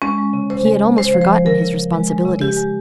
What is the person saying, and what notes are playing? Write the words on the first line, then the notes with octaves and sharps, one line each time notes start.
He had almost forgotten his responsibilities.
G#3 C#4
G#3
C#3
C#3 C5
G#3
G#3
C#3 C5
F3
C5
G#3
C#3 A#4
C#3
F3
G#3
G#3
C#3
C#3 G4
G#3